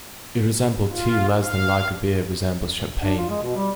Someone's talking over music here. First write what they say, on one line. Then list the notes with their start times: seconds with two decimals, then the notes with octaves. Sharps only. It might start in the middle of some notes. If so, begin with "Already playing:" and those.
It resembled tea less than lager beer resembles champagne.
0.91 F4
1.42 F5
3.03 D4
3.17 F4
3.30 G#3
3.43 B2
3.56 G3